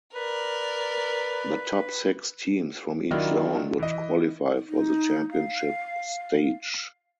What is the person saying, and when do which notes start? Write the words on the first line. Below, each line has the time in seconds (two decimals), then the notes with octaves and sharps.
The top six teams from each zone would qualify for the championship stage.
0.14 A#4 B4 D5
3.11 D#3 F#3 D4 E4 F4
3.79 E3 D#5
4.69 D#4
5.31 F5